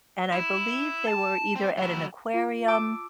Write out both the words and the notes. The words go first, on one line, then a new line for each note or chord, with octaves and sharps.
and I believe they were either at an aquarium,
E4
A5
C4
F#3 E4
F4 A#5
A5 D6 E6